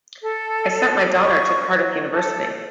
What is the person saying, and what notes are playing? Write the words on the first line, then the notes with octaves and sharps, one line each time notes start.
I sent my daughter to Cardiff University.
A4
C#6
A4